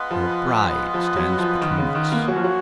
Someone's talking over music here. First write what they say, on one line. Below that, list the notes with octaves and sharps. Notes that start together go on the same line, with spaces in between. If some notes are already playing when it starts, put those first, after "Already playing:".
"Your bride stands between us."
Already playing: G#3 B3 F4 B4 D#5
F3
F3
F#3
F3
D#3
C#3
D#3
A#3
F#3 A#3 C#4 F#4
F3
F#3